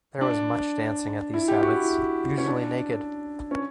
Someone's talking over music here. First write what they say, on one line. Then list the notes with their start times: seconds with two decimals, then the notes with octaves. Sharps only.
There was much dancing at these sabbaths, usually naked.
0.21 D4
1.34 E4
1.48 G4
1.63 F#4
1.76 E4
2.38 C#4
2.47 D4
3.51 C#4